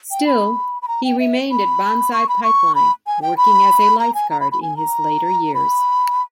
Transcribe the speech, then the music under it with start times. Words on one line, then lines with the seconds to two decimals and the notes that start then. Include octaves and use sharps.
Still, he remained at Banzai Pipeline, working as a lifeguard in his later years.
0.11 G5
0.27 B5
0.82 B5
0.88 A#5
1.04 G5
1.20 E5
1.51 B5
2.13 C#6
2.29 B5
2.44 C#6
2.75 B5
3.07 G#5
3.22 G5
3.37 B5
3.99 A#5
4.14 G#5
4.30 A#5
4.40 B5
4.52 B5
4.62 G#5
4.77 A#5
5.54 B5